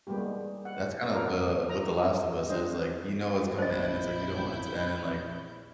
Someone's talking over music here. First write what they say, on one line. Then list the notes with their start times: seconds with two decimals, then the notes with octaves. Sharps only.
That's kinda the what The Last of Us is, like, you know it's coming to end, it's, like, you don't want it to end, and like,
0.07 G3 G#3 A#3 B3 G4
0.18 G#3
0.65 F#5
1.13 B3 F#4 A4 A#4
1.69 A#5
2.49 G#3 C4 D4 C5 D#5
3.58 A#1 E4 C5 D#5 G6